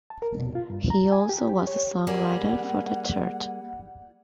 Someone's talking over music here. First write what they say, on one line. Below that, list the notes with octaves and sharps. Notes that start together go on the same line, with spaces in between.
He also was a songwriter for the church.
A5
A#4
B2
F4
G2
A#5
G#5
G4
G4
C#5
G3 A#3 G#4 F#5